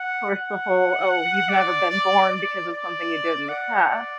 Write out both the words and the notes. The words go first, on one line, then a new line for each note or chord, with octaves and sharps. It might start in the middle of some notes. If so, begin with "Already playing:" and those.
course, the whole, "Oh, you've never been born because of something you did in the past,"
Already playing: F#5
F#5
D5
D5
D5
D5
F#5
D5